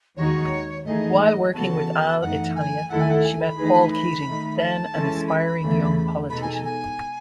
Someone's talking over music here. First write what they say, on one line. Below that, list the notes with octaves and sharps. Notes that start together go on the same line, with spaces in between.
While working with Alitalia, she met Paul Keating, then an aspiring young politician.
D#2 D#3 G#3 D#4 F#4 C#5
G#2 E3 A3 D#4 G#4 D#5
C#3 E3 B3 F#4 A4 A5
F#2 E3 A3 D#4 F#5
G#5
D#2 D#3 A3 E4 A4 F#5
G#5
F#5
G#5
B5
E3 A3 D#4 G#4 B4
B5
D#3 A3 D#4
A5
E3 G#3 C#4 E4 A4
B5
E2 C#3 E3 A3
B2 G#3 D#4 A4 B5
G#5
G#5
G#5